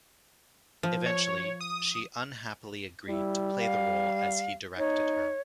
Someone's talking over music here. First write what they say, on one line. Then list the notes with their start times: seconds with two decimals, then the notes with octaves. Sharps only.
Eventually, she unhappily agreed to play the role as he directed her.
0.83 F3
1.06 C#5
1.61 D#6
3.09 G3 E4
3.59 F5
4.78 D#4 C#5